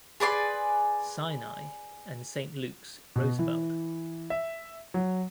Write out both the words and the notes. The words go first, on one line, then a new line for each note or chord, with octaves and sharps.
Sinai, and Saint Luke's-Roosevelt.
G#4 B4 D5 C6
B2
E3
E5
F#3